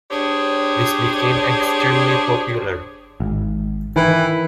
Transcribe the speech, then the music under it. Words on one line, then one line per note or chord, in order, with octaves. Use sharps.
This became extremely popular.
D4 G4 G#4 C5 C#5
G#1
D#3 E3